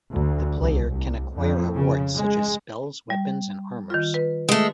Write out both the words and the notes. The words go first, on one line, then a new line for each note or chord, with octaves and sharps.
The player can acquire awards such as spells, weapons, and armors.
D2
C2
C2
F2
C#3
G#3
G3
D#3 F4
B4
G#3 A3